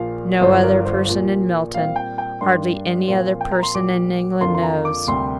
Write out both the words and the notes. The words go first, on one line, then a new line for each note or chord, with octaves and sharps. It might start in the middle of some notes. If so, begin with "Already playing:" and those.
No other person in Milton--hardly any other person in England knows.
Already playing: A#1 A#2 F3 F5
G1 G2 D3 F3 C5
A#4
C5
A#1 A#2 F3
A#2 G3 C4 F5
G5
G5
G2 G3 A#3 D4 C6
A#2 F3 C4 F4
G5
A#5
C6
A#1 A#2 G3 D6
F2 D3 A#3 D4 F4 C6
C6
A#5
D6
D2 C3 G3 A#3 C6